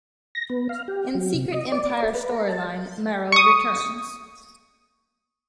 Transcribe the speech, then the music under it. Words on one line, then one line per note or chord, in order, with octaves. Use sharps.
In Secret Empire storyline, Marrow returns.
A#6
B3
F5
G4
F#3
C3
D#5
D5
A4
B4
A#4
A5
C#6 D#6